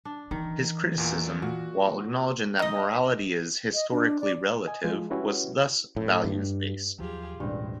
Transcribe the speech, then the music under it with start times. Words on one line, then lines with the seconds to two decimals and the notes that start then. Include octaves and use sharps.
His criticism, while acknowledging that morality is historically relative, was thus values-based.
0.05 D4
0.31 D#3 E3
0.98 E2 A#2
1.42 A#2 F#4
2.59 D#4 D#5
3.74 D#5
3.92 D4
4.21 D5
4.66 D#5 G#5
4.84 F3 G#3 F4
5.10 C#4 E4 F#4 G4 B4
5.96 A2
6.24 G2
6.99 D#2 F3 F#3 F4 G4 G#4
7.40 D#1 A1 G2 B2 G3 G#3 C4